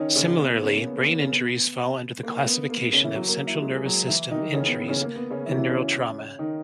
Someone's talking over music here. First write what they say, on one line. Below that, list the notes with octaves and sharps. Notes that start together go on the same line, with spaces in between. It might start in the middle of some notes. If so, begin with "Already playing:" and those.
Similarly, brain injuries fall under the classification of central nervous system injuries and neurotrauma.
Already playing: D#3 C#4 D#4
C#3 C#4
B3
B3
C#3 C#4
A#3
B3
A#3
B3
C#3 C#4
B3
A#3
B3
A#3
B3
C#3 C#4
E3 E4
F#3 F#4
A#3 A#4
A#3 A#4
E4
F#4
G#3 G#4
G#4
F#3 F#4
E3 E4
D#3 D#4
C#3 C#4
B3
B3
C#3 C#4
A#3
B3
C#3 C#4
E3 E4
F#4
E3 E4
C#3 C#4
C#3 C#4
D#3 D#4